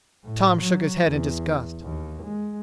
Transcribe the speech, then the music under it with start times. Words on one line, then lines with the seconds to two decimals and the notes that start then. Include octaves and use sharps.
Tom shook his head in disgust.
0.24 A2
0.60 F#3
1.05 E2
1.82 D#2
2.23 G#3